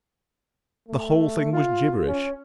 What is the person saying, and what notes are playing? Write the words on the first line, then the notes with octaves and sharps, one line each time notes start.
The whole thing was gibberish!
A3
F4
C#4